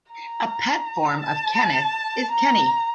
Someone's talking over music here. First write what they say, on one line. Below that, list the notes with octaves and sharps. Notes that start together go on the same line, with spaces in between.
A pet form of Kenneth is "Kenny".
A#5
A5
A#5